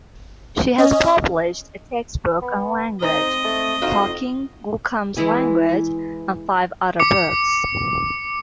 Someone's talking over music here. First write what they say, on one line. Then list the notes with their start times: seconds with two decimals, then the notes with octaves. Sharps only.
She has published a textbook on language: "Talking Gookom's Language" and five other books.
0.78 C#4 D#5
2.42 B3
3.02 C4 D#4 D#5
3.44 A3
3.82 F2 D#4 F4 F#4
5.17 E3 G#3 E4 G#4
7.00 D6 C#7